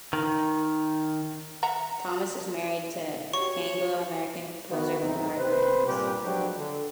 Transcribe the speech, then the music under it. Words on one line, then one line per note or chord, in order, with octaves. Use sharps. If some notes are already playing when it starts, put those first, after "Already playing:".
Thomas is married to Anglo-American composer Bernard Rands.
D#3
E5 F#5 A#5
F#4 G4 C#5 C#6
D#3 B3 F#4
B1 E2 A2 C4 D#4 E4
C3 B4 C5
G2 A#2 G3 C4 G4 B4
F3 F#3 G#3 D4 F#4 G4
D3